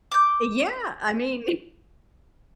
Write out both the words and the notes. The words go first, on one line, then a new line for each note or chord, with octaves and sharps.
Eh yeah. I mean,
D6 G6